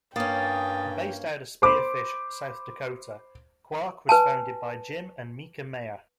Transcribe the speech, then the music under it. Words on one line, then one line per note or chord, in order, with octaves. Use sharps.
Based out of Spearfish, South Dakota, Quarq was founded by Jim and Mieke Meyer.
G2 A#3 C#4 G5 D#6 A6
C5 B5 D6
B4 G#5 A5